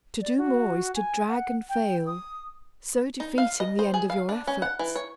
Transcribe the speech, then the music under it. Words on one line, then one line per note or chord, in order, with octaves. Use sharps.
To do more is to drag and fail, so defeating the end of your efforts.
D5
F#4
G#5
F#5
G5
D#6
D#4
F5
D#5
C5
G#4
F5
D4
C#4
F#5
E3
C#5